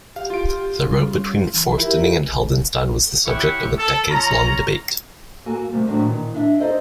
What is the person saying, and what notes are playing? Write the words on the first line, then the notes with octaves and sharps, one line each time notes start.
The route between Forstinning and Heldenstein was the subject of a decades-long debate.
G4 F5
F4 D7
G3 C#4
E3
E4 G4 A#4
C#4 E4 G4 E5 F#5 C#6
A4
C#4 F4 C#5 A#5
A#3 F#4 A4 G#5
C3 G3 A3 A#3
E2 A2 F#3 A3 C4 D4
A#2 D#3 E3
D4 D#5 E5
D#4 A4 C5 D5 D#5